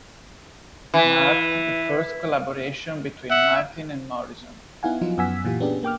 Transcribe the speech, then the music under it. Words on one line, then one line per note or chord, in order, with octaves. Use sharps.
It marked the first collaboration between Martin and Morrison.
E3
E5 F#5
B3 D#4 E4 F5 F#5 G#5
F3 F#3 D#4 F4
F#2 B3 F#5 G#5 E6 B6
A#2 E3 F4 G4
B3 C#4 D4 G4 G#4
A#3 G5 D6 F6